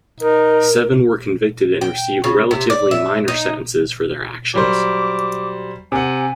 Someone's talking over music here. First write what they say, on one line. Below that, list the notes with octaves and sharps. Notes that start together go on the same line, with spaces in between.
Seven were convicted and received relatively minor sentences for their actions.
D#4 A#4
G5
C#3
C3
D5
E5
D#4
F#3 G3 C5 D6
C3 F#5 G#5